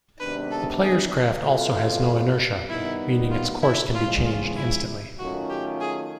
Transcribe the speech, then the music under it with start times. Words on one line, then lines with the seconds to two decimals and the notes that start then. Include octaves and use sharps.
The player's craft also has no inertia, meaning its course can be changed instantly.
0.20 C3 D#3 G#3 B3 D4 B4
0.51 A4
0.82 G#4
1.45 B2 G3 C4 F4 A4
2.69 D#3 G3 B3 D#4 E4
3.31 F4
3.63 E4
3.94 E2 C#3 F3 G#3 F4
4.26 F4
4.56 E4
5.19 D#3 F#3 A3 C#4 F4 F#4
5.50 G4
5.81 G#4